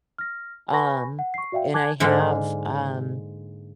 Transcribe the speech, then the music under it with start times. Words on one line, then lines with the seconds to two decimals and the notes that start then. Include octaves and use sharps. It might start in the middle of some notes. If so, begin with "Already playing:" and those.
Um, and I have, um
0.18 F6 A#6
0.72 B4 G#5 B5 C#6 A#6
1.19 F#5
1.34 C#6 C7
1.52 F#4 D5 E5 F5 G5
1.73 G#5 A5 D6 F#6 G#6
2.00 G#2 D3 G#3 A#3